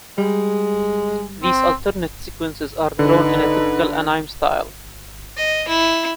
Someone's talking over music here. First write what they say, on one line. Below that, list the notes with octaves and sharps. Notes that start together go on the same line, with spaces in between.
These alternate sequences are drawn in a typical anime style.
G3 G#3
C4
D3 D#4 B4
D#5
E4